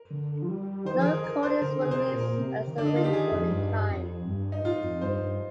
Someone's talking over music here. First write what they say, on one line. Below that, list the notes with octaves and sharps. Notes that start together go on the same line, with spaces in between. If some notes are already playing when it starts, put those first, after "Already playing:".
No recordings were released as A Wrinkle in Time.
Already playing: A#4
D3
F3
G3
D#3 C5
F3
G#4
D#3 A#4
A#4
C5
D3 A#4
D3
G#4
C3 C5
A#4
A#2
A#4
C3
D#3
D3 D4
D#4
F4
G4
D#3 G#4
F2
G2
G2
F2
G2
D#4
G#2 F4
F2
G2 C5
G2